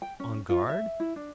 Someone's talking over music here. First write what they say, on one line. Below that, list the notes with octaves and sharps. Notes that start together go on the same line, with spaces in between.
"On guard?"
G5
C#4
F4
E5
E4
D4